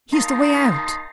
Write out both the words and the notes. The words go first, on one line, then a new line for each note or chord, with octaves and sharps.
"Here's the way out!"
A#3 D#4 A5 A#5 C6